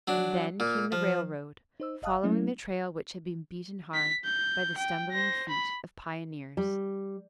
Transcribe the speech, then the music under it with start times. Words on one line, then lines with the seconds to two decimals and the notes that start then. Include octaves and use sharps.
And then came the railroad, following the trail which had been beaten hard by the stumbling feet of pioneers.
0.08 F#3 D4
0.60 A#2
0.92 F3
1.80 D#4 C5 E6
2.02 G1 D#5 F5 A5 D#6 F#6
2.23 F#3 A3 A#3 C#4 E4
3.94 B6
4.25 G6
4.78 G5
5.12 C5 A#6
5.49 B5
6.57 G3